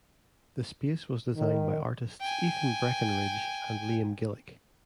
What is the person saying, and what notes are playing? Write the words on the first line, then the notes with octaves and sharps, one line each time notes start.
The space was designed by artists Ethan Breckenridge and Liam Gillick.
D#3
G5 G#5